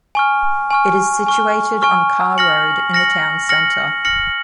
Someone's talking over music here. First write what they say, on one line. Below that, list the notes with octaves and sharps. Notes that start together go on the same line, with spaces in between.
It is situated on Carr Road in the town centre.
G#5 C#6 F6
G#5 C#6 F6
G#5 C#6 F6
G#5 C#6 F6
F6 A#6 C#7 F#7
F6 A#6 C#7 F#7
F6 A#6 C#7 F#7
F6 A#6 C#7 F#7